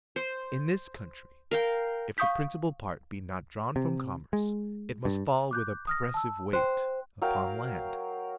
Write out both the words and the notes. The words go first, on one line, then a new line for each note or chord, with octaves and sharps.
In this country, if the principal part be not drawn from commerce, it must fall with oppressive weight upon land.
C5
A#4 F5 G5
F5 C#6 D#6 G6 B6
C3
G#3
G2
D6 F#6 G6
D#6 F6 A#6
A5 E6
C5 G5 C6 F#6
F#3 A#4 F5 G5